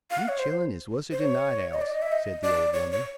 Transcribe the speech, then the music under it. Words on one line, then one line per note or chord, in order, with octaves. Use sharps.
"You chillen is wusser dan night owls," said the old woman.
F5
F#5
C#5
C5
C5
C#5
D#5
D5
D#5
E5
D#5
D5
C#5
C#5